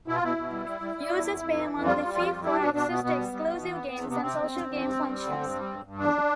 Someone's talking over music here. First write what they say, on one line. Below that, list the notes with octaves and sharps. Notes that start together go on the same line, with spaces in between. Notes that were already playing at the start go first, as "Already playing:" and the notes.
Users pay a monthly fee for access to exclusive games and social game functions.
B2 E4
F4
B2 E4
B2
G3
G3
G3
G3
E2
F2
F2
E3
F2
G3 F4
G3
F2 F4
G3
G3 E4
B2 D4
B2 D4
B2 B3
B2 B3
G3
G3
B2
E3
E2
E2
C3 B3
C3 C4
E2
E2
E2
G2
G2
G3
D3
G2
G3
G2
G2
E2 D4